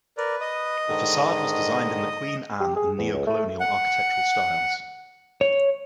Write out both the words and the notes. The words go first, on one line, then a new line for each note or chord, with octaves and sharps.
The facade was designed in the Queen Anne and Neocolonial architectural styles.
A#4 B4 D5
D#5 D#6
G#2 D3 D#3
G4
G#4
E2
C#2
A3
F#5
C#5